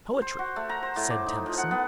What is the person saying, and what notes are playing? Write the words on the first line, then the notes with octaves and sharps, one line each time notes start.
"Poetry," said Tennyson.
C5
F#4
A3
A#5
C5
A2
D6
D#4
F3
F#5
B3